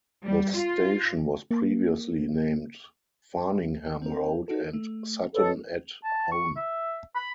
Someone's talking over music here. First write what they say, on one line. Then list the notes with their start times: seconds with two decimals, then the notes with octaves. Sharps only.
The station was previously named Farningham Road and Sutton-at-Hone.
0.25 G3
0.55 F4
1.51 A#3
4.02 C4 A#4
4.48 D#4 F#4 A4
4.73 A3
5.35 A4 B4 C#5 D#5
6.04 A5
6.32 C#6
6.56 E5
7.15 B5